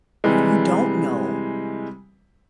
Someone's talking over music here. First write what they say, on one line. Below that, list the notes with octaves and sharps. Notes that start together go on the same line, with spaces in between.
if you don't know
C3 E3 G3 G#3